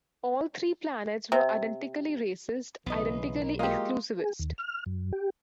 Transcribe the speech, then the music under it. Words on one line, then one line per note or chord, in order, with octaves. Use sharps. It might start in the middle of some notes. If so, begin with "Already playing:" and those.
All three planets were identically racist, identically exclusivist.
C3
B1 C#3 E3 B3 D#5
D#4 A#4
F#3 G#3 A#3 F4 G4 D#5
G#4
D#2
F6
F#2
G4